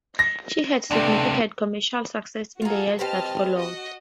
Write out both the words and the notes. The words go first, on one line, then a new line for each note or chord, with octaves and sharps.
She had significant commercial success in the years that followed.
A#6
C#2 C3 A3 B3 D4
F4 F#4 G#4 A4 A#5
C4 G4 B4 D#5 A5 F6
F#4 D#5